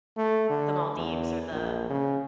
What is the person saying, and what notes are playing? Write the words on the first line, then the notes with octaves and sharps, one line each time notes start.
the Maldives or the,
A3
D3
E2
A#1
C#3